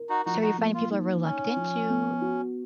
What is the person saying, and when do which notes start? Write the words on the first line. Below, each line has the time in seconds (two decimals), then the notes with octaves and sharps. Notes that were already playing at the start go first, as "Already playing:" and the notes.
So, you're finding people are reluctant to
Already playing: A#4
0.09 D#4 F#4
0.25 F3 D#4 F#4
0.42 D#4 F#4
0.58 A#3
0.74 F4
0.90 D#4
1.24 C#4 C#5
1.56 F3
1.90 B3
2.21 F#4